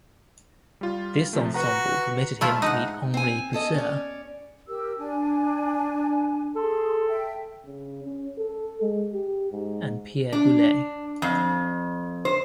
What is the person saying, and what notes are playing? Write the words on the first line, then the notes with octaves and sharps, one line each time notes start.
This ensemble permitted him to meet Henri Pousseur and Pierre Boulez.
G3 F4
C3 F3 A3
F#4 B4 F#5 A#5
G#2 A3 E4 F4
D#4 F#5
C4 G#5
C#4 A4 D#5
C#4 D5
G4 A#4 E6
D4 G#5
G#4 A4 C6
E5 G5
C#3
C#4
A4
G#3
G4
G#2
D4
F2
C5